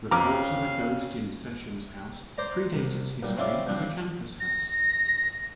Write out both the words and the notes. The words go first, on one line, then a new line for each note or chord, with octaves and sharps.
Reports of a ghost in Sessions House predate its history as a campus house.
F2 C#4 F5 A#5 D6 F6
C5 D5 A#5
C2
B1 A#2 G3
C4 C#4 E4 F4 D5
F3 G3 C4 D4
A#6